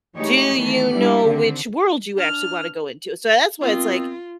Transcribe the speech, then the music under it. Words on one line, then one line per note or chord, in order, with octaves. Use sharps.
do you know which world you actually wanna go into, so that's why it's like,
E3 G#3 A3 D#4 G4 C#5
D#3 E3 A3
G3 A3 D4 E4 G4
D3 D#3 C4 D4
D4 F6
D#3 B3 C4 F4